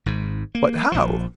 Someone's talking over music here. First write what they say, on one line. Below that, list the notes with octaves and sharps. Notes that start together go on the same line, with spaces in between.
"But how?"
G#1 G#2
A#3
A#1 F3